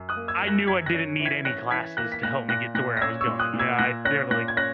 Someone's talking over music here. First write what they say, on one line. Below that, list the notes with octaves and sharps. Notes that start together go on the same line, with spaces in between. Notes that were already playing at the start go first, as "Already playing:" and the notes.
I knew I didn't need any classes to help me get to where I was going, you know, I they're, like
Already playing: F#2
D#6 F#6
A#3
E6 G#6
F#2
F#6 A#6
F#2 G#6 B6
F#6 A#6
C#4
E3
G#6 B6
C#4 F#6 A#6
E3 G#6 B6
A#3 F#6 A#6
B6
A#2 F#6 A#6
A#2 F#6 A#6
A#2 F#6 A#6
A#6
C#4 E6 G#6
C#6 E6
A#2
D#6 F#6
A#2
E6 G#6
A#2 F#6 A#6
C#4 F#6 A#6
A#2 F#6 A#6
G#6
C#4 F#6 A#6